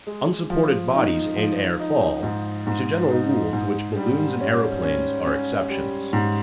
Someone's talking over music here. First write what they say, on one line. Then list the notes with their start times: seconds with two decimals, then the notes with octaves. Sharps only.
'Unsupported bodies in air fall' is a general rule to which balloons and aeroplanes are exceptions.
0.07 G#3
0.50 F3
0.94 D#4
1.36 F3
1.80 D#4
2.23 G#2
2.67 G#2
3.11 D#4
3.53 G#2
3.96 G3
4.40 C#4
4.83 C#4
5.26 C#4
5.70 G3
6.13 G#2